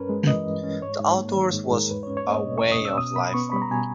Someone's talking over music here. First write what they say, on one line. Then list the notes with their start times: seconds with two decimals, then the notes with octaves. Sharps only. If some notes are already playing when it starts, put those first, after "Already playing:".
The outdoors was a way of life for me.
Already playing: G2 C#4 A#4 B4
0.09 G#3
0.27 E3 D#5
0.46 G2
0.63 C#4
0.82 G#2 C#5
1.00 G#2
1.17 A#3
1.35 D#3
1.53 G#2
1.66 G#4
1.71 G#2
1.77 A#4
1.90 E2 B4
2.03 C#4 C#5
2.17 C#5
2.26 A#3
2.31 D#5
2.45 B2
2.58 E2 C#6
2.72 D#6
2.81 C#4 E6
2.98 B2 D#6
3.16 B2 B5
3.34 B3 C#6
3.52 G3 B5
3.62 A#5
3.71 B2 G#5